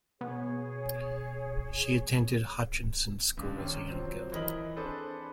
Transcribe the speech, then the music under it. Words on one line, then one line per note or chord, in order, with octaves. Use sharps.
She attended Hutchison School as a young girl.
B2 G#4 C#5
C#2 D4
D#2 C3 C#4
F3 F#3 C4
E3 A#4 D#5 B5 F#7
C4 D4 G#4 A4 B4 C5